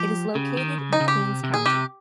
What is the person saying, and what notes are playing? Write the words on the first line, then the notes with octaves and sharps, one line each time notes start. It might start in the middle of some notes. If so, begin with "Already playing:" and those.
It is located in Queens County.
Already playing: F3 G4
C#3
D#3
C#3
D#4
C#3
G4
C3
C3
A#2 G#4
C3 G4